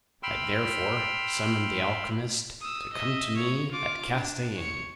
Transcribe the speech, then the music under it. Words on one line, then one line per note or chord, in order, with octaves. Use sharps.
I therefore summoned the alchymist to come to me at Castellane.
G5 B5 C6 E6 F6
D#6 E6
D#5 E5
C#5
F4 D6
D4
C#5 C#7